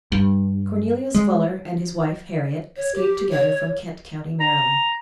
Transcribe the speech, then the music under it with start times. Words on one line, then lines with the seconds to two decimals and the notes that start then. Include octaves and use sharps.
Cornelius Fuller, and his wife, Harriet, escaped together from Kent county, Maryland.
0.12 G2
1.15 G#3
2.77 C#5
2.95 G4
3.31 C#5
4.40 A#5